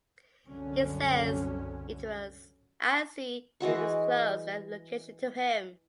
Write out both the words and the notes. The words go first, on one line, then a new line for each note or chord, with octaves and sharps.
He says it was Aasi who disclosed their location to him.
C2 F#2 D3 F#3 C#4
E3 G#3 F#4 C#6